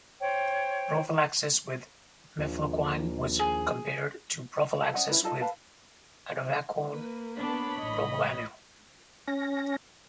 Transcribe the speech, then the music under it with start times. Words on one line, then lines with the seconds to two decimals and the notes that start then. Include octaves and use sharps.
Prophylaxis with mefloquine was compared to prophylaxis with atovaquone-proguanil.
0.20 C5 C#5 G5
2.38 A#1 D#2
3.39 G#4
4.82 A4 B4
4.94 C#4 D#5 F#5
5.09 C#4 E4 B4
5.23 D#4 F4 A4 D#5
5.40 A4 B4 F5 A5
6.92 A#3 B4
7.37 B3 D4 C#5 B5
7.79 A1 D#5
9.28 C#4 A#6